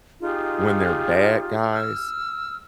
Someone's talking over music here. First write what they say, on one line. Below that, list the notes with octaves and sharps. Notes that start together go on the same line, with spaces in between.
when they're bad guys,
D#4 F4 G4 G#4
E6 F6